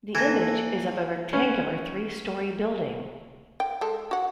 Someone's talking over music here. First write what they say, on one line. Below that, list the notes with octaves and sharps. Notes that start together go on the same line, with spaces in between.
The image is of a rectangular three-story building.
E3 A#3 A4 G#6 A#6
C#4 B4
G5
G#3 A4
F#4 F#5